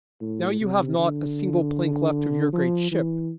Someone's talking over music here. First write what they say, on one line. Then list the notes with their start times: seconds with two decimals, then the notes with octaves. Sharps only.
Now you have not a single plank left of your great ship!
0.21 A2
0.60 C3
0.98 D3
2.53 F3
2.91 E3